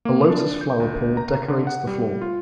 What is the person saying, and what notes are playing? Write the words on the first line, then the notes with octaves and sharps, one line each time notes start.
A lotus-flower pool decorates the floor.
A#3
D4
G6
D2
A#5
D3
F#5
G3
F4